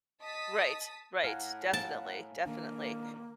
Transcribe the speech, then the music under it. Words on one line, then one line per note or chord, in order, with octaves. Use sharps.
Right, right, definitely, definitely,
D#5 A5 D#6 B6
A2 F5 F#5 G#5 A#5
A5
D#3 A#3 D4